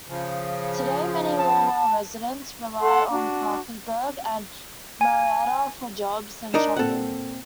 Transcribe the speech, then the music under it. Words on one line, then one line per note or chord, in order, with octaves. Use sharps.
Today many Lowell residents rely on Parkersburg and Marietta for jobs and shopping.
C#3 F3
A5
A4 F#5 C6
D4 F#4
G#5
D4 D#4 A#4
A#2 C4 F4 A4 F#5